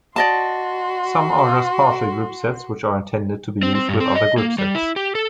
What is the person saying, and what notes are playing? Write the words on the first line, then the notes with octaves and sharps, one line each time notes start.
Some are just partial groupsets which are intended to be used with other groupsets.
F#4 D5 D#5 A5 C6
C4
C4
G2
C4
D#5
A#3
G3
E4
G4
A4